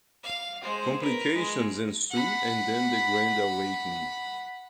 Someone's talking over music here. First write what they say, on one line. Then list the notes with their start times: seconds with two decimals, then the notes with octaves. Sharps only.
Complications ensue and then the grand awakening.
0.24 F5
0.62 G#3 C5
1.00 A#4 B4
1.35 G#3
2.10 F#5 B5